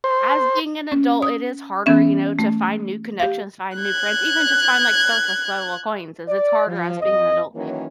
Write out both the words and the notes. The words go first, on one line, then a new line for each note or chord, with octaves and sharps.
as being an adult, it is harder, you know, to find new connections, find new friends, even just find, like, surface-level acquaintances, it's harder as being an adult,
C5
C#4
D#6
E3 B3 C#4 E5
A3
G4 F5
F#6 G#6
D5
F3
F2 D#5
D#3 E3 F#3 A#3 C#4